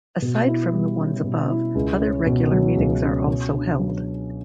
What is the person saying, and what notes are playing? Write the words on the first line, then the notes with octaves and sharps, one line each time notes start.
Aside from the ones above, other regular meetings are also held.
B2
E4
G3
C#4
B2
E4
C#2
C#4
B2
F#3
C#2
C#4
B2
D4
F#3